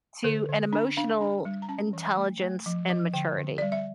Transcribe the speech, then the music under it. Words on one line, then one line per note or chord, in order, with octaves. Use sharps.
to an emotional intelligence and maturity.
D3 A4
D3
D4
D4 F5
D4
G3
A#5
C#4 A5
E3
A3
A3
F3
F3
D3 G5
D3
G3 D5
E5